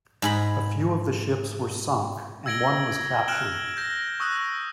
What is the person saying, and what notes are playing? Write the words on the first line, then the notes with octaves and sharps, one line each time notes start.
A few of the ships were sunk, and one was captured.
G#2 G#4 B5
E6 G#6 A#6 D7 F#7 G7
F6 F#6 D7 E7 F#7 G7
G6 A#6
C#6 D#6 E6 F#6